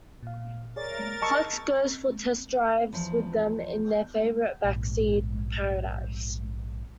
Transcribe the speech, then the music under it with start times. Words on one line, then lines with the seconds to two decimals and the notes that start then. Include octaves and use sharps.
Flex goes for test-drives with them in their favorite backseat paradise.
0.23 A#2 F5
0.76 G#4 A#4 C#5 D5 A6
1.22 D#5 A5 A#5 C#6 E6
2.93 E2 F3
4.64 A#1 G#2